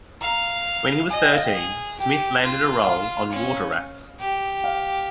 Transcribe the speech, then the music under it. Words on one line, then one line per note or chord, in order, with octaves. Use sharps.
When he was thirteen, Smith landed a role on "Water Rats".
F5 A#5
D#5 G#5
G5
F5
G5
G#4
G4 G5
F4
F5
C#4
G4
F5